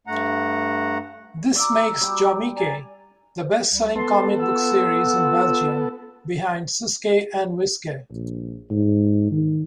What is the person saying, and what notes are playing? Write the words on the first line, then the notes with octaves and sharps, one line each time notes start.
This makes Jommeke the best-selling comic book series in Belgium behind Suske en Wiske.
G2 A3 F#5 A#5
D5 A#5 E6
G3 G4
D5 G#5 A#5
C#2 G3
B3 A4 A5 C6
F4 F#5 E6
A#1
G#2
D#3